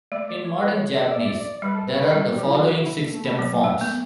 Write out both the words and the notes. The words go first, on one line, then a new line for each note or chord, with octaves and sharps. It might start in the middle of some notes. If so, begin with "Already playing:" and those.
In modern Japanese there are the following six stem forms.
A3 D5
D5
C#5
A4
B4
C#5
E5
D5
E5
D5
D5
D5
G3 B4
A4
B4
C#5
B4
G3 A4
G4
F#3
E4
F#4
E4
F#4
E4
A3
B3
A3
F#3
A3
A3 B3